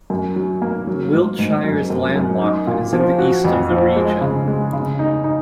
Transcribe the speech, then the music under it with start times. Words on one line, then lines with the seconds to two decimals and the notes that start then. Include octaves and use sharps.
Wiltshire is landlocked and is in the east of the region.
0.10 F#2
0.36 F#3
0.62 A#3
0.87 F#3
1.13 G#2
1.39 G#2
1.65 F#2
1.90 F#2
2.16 F#2
2.42 D#4
2.67 A#2
2.93 F3
3.19 F#4
3.45 F2
3.70 F3
3.96 G#3
4.21 C#3
4.48 G#3
4.73 C#3
4.99 D#4
5.24 D#4